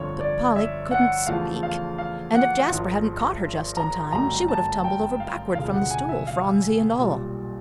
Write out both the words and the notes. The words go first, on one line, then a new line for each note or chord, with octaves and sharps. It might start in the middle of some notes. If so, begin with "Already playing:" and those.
But Polly couldn't speak; and if Jasper hadn't caught her just in time, she would have tumbled over backward from the stool, Phronsie and all!
Already playing: G1 F2 D3 C#5
D5
E5
F#5
E2 C#3 F3 A3 F5
F5
F5
F#5
G#1 G#2 F3
A#5
G1 F#2 D#3 F#3 A3 A#5
A5
G5
F5
E1 D2 C#3 F3 G#3 F5
F#5
G#5
E5
F5
B1 A#2 G3